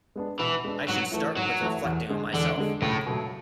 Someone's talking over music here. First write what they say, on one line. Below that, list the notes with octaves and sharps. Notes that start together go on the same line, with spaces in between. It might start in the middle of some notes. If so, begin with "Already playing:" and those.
I should start with reflecting on myself.
G#3 B3 D4
B2 E3
G#3 B3 D4
G#2 F#3
E3 A3 E4
G#2 F#3
E3 A3 E4
E2
D3 G#3
E2 D3
D3 G#3
C#2 A2
B2 F#3 A3